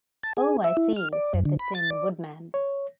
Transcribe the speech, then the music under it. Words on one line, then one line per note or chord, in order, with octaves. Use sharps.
"Oh, I see;" said the Tin Woodman.
A5
G#4
E5
E4
F6
D5
F#2
D3
B5
A6
D5
C#5